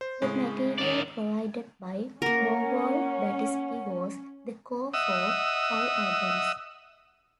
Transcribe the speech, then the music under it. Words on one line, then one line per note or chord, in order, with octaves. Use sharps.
The material provided by Mogol-Battisti was the core for five albums.
C5
A2 C#3 G#3
D#3 D5
A#3 C#4 A#4 F#5
D#5 E5 F#5 D#6 E6